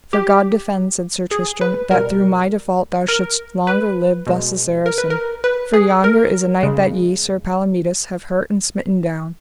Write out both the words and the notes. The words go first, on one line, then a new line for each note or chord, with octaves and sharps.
For God defend, said Sir Tristram, that through my default thou shouldst longer live thus a Saracen, for yonder is a knight that ye, Sir Palomides, have hurt and smitten down.
G4
G#4
B4
B2 G3 A#4
A#4
B4
B2 G#3
A#4
B4
A#4
B4
G#4
A#4
C#3 G#3